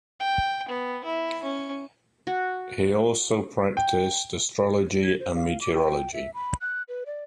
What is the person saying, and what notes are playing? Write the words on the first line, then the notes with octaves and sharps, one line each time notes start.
He also practiced astrology and meteorology.
G5
B3
E4
C#4
F#4
G5
G#6
C5
F5
D6
G5
E5
B5
F#6
B4
D5